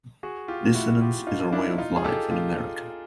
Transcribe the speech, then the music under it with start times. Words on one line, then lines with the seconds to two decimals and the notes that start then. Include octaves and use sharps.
Dissonance is our way of life in America.
0.23 F#4 G#4
0.48 F4 G4
0.74 E4 F#4
1.01 F4 G4
1.27 D#4 F4
1.52 D4 E4
1.78 D#4 F4
1.96 G#4
2.04 G4 A4
2.30 F4 G4